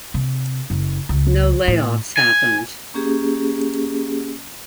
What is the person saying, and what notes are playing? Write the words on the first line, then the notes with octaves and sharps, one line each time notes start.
No layoffs happened.
C3
F#1
C#2
A2
G#5
A#3 C#4 G4 G#4